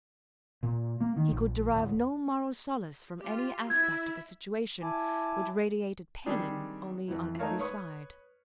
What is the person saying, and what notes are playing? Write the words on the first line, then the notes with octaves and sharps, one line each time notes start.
He could derive no moral solace from any aspect of the situation, which radiated pain only on every side.
A#2
A#3
D#3
A#1
D1
F4 G4
E4 E5 G#6
E4 G#5 A5 D6
D#3 G3 C4 D4 G4 G#4
F2 E3
A3 D#4 A#4 C#5 F5 A5
B4 C#5 C#6 D#6